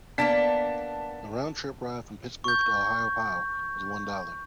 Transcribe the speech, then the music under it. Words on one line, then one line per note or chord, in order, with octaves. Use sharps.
The round trip ride from Pittsburgh to Ohiopyle was one dollar.
A#3 B3 D4 A5 B6
C#6 G6